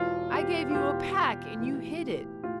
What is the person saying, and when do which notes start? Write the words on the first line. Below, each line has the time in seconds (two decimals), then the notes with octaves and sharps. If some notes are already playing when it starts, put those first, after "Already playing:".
I gave you a pack and you hid it.
Already playing: E1 E2 B2 F4
0.33 G4
0.71 F4
0.74 E1 E2 B2 G4
1.59 B1 A2 E3
2.44 A2 F4